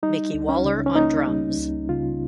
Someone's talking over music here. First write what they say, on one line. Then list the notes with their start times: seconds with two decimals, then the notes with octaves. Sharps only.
Micky Waller on drums.
0.03 G3 D#4
0.34 C#2
0.49 C#4
0.65 C#3
0.86 C#4
0.95 A#3 D#4
1.28 G3
1.59 C#2
1.89 C#3 F4